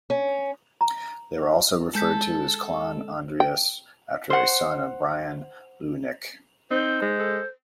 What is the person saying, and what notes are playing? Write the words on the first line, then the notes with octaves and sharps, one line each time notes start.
They were also referred to as Clann Andrias after a son of Brian Luighnech.
C#4
A#5
G#3 A4 A5 G6 B6
G5
C5 F#5
C4 D#4 C5
G#3
A4